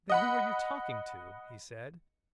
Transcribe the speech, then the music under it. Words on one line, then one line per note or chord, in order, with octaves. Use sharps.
"Then who are you talking to?" he said.
D#5 F#5 B5